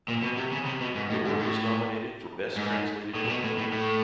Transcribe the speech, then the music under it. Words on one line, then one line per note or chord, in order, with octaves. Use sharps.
The work was nominated for Best Translated Book Award.
A#2
B2
C3
C#3
C3
B2
G#2
A2
G#2
A2
G#2
A2
A#2
B2
A2
A2
A2